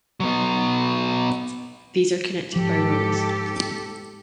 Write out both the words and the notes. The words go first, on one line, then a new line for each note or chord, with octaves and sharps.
These are connected by roads.
F#3 B3
G#2 F3 G4 A4